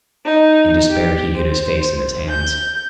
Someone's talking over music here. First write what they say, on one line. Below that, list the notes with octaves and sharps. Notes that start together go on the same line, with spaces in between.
In despair he hid his face in his hands.
D#4
G4
C5
G6